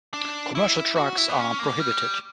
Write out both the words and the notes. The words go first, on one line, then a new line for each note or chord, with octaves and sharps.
Commercial trucks are prohibited.
D4
E4
F#4
E4
B3
C#4
A#3
G3